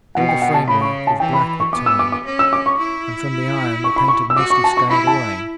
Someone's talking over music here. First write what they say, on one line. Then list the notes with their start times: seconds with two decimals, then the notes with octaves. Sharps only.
All the framework was black with time, and from the iron the paint had mostly scaled away.
0.15 B2 F#5
0.29 G5
0.42 F#5
0.54 A5
0.68 C#3 B5
0.81 C#6
1.07 A5
1.20 E3 G5
1.33 B5
1.60 C#6
1.73 B3 D6
1.86 E6
1.99 D6
2.12 D6
2.26 C#4
2.39 E6
2.53 D6
2.66 C#6
2.79 E4
3.84 C#6
3.96 B5
4.08 C#6
4.30 E6
4.36 F#4 D6
4.50 C#6
4.64 A5
4.77 C#6
4.90 E4 B5
5.07 A5